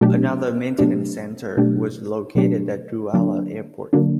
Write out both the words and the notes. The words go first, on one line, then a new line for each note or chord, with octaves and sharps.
Another maintenance centre was located at Douala Airport.
B2 F#3 A3 D4 G4
B2 F#3 A3 D4 G4
B2 F#3 A3 D4 G4
B2 F#3 A3 D4 G4
D3 F#3 A#3 D4
D3 F#3 A#3 D4